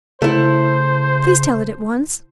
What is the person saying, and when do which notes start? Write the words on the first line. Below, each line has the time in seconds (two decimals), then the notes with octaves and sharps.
'Please tell it at once.
0.22 C#3 A3 E4 C5